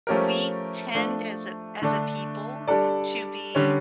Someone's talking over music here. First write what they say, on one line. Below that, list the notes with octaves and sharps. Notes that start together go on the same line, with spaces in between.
we tend as a as a people to be
F3 A3 C#4 G4 A#4
F3 A3 D4
D3 A3 D4
G3 D4 A4 D5
D3 G3 C#4